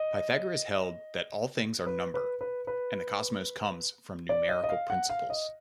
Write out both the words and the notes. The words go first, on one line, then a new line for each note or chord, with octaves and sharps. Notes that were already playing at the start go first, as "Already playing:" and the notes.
Pythagoras held that all things are number, and the cosmos comes from numerical principles.
Already playing: D#5
B4
B4
B4
B4
D5
D#5
D#5
F5
F#5
F5
D#5